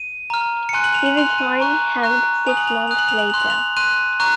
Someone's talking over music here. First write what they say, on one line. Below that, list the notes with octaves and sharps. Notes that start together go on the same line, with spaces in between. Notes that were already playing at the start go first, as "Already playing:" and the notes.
He was finally hanged six months later.
Already playing: D#7
A#5 F6
C#7
G#5 C6 F#6 D#7
F#7
F7
F#7
G#5 C6 F#6 F7
D#7
A#5 C#6 F#6
A#5 C#6 F#6
G#5 D#6 F#6 F7
F#7
F7
F#7
G#5 D#6 F#6 F7
F#7
F7
F#7
C6 F#6 F7
F#7
F7
C6 F#6 D#7
A#5 C#6 F#6